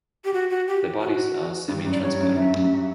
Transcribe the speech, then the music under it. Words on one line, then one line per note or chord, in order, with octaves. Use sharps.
Their bodies are semitransparent.
G4
F#4
F#4
G4
F#4
G2 G4
F#2
D5
G2 C#5
F#2
F#2 E5
F#2
F#2